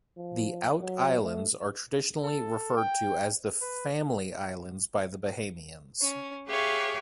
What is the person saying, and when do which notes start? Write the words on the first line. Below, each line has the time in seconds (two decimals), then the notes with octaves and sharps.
The Out Islands are traditionally referred to as the Family Islands by the Bahamians.
0.17 F3
0.82 F#3
1.22 A3
2.23 A4
2.77 G5
3.61 B4
6.00 C#4
6.48 G4 G#4 B4 C#5 E5 F5